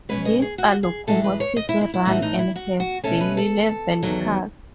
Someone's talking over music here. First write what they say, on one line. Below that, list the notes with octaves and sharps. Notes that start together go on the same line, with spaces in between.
These are locomotive-run and have bilevel cars.
B2 G#3 C#4 B4
D#5
G#4
F#4
G#4
A2 E3 G#3 A4
B4
C#5
D#5
E4
E4
E4
A2 E3 A3 D#4 F#4
D#4
E4
F#4
F#4
B2 A3 C#4 A4
B4
A4
E2 D#3 F#3